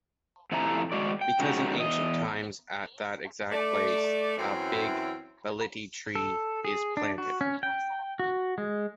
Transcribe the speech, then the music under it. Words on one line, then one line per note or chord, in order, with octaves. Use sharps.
Because in ancient times at that exact place, a Big Baliti Tree is planted.
F2 C3 A3 E4 G#5 A#5
G#3 F#4 D5
G5
F#3 G#3 C#4 D#4 F#4 G4
E2 D#5
A3 D5
F#2 E3 C4 C#4 E4
A4
G#4
D4
F#4
C#4
G5
F#4
G#3